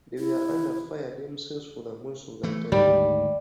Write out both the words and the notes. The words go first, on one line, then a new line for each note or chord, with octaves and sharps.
They were under fire themselves for most of the time.
E4
E3 A3
D2 G#2 D#3 G3